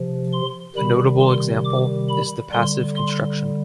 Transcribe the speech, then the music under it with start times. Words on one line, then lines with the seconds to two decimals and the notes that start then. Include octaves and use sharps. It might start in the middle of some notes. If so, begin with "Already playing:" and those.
A notable example is the passive construction.
Already playing: C3 F3
0.32 C6
0.76 C3 D#3 G3 B5
1.20 C6
1.65 D6
2.09 B5
2.52 D3 G3 C6
2.96 C6